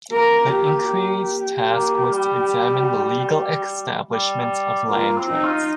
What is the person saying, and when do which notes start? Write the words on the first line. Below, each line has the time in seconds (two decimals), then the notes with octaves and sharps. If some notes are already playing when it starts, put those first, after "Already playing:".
The Inquiry's task was to examine the legal establishment of land rights.
0.11 A#3 A#4
0.52 G4
0.92 G4
1.72 A#3
2.12 G3
4.11 G3
4.90 A#3 F4
5.17 C4
5.30 D#4
5.44 F4